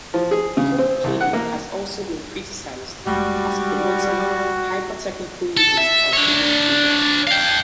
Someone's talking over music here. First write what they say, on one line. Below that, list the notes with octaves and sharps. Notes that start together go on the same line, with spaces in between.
Code pleading has also been criticized as promoting "hypertechnical reading of legal papers".
F3
G#4
C#3
C4
C2
F#5
A#3
F1 G3 G#3 F#4
A4
E5
D4 C#5
F5 G5